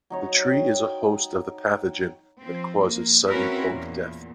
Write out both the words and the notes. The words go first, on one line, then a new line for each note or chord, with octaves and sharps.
The tree is a host of the pathogen that causes sudden oak death.
F#3 D#4 C#5
G5
F3 C4
A#3
C4 C#4 E4 F#4 A#4 B4
E2 A#2